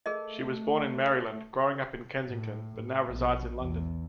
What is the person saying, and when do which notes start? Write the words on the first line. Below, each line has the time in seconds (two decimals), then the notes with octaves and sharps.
She was born in Maryland, growing up in Kensington, but now resides in London.
0.06 A3 G#4 A#4 D#5
2.27 A2
3.05 A#1 B2
3.58 E2